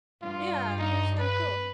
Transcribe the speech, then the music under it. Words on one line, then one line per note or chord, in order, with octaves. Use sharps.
Yeah, that's kind of cool.
G2 F4
D#4
B4